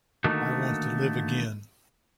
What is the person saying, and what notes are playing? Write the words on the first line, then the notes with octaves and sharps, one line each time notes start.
I want to live again.
D3 D#3 A3 A#3 D#4 F#4